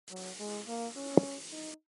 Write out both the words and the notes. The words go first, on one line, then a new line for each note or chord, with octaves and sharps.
She’s laughing at me because i have soap on my face.
F#3
G#3
A#3
C#4
D#4